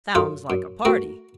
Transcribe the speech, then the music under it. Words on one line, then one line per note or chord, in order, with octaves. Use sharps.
"Sounds like a party."
F#2 F4 A4
F#2
A3 F#4 A#4